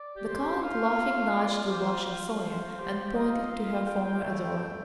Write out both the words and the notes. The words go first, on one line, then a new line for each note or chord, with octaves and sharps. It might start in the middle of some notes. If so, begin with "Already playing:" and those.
The count, laughing, nudged the blushing Sonya and pointed to her former adorer.
Already playing: D5
G4
C5
G4
F4 F5
D5
C5
C5
G4 C5
G4
F4 D#5
F5
G5
A3 G5
A3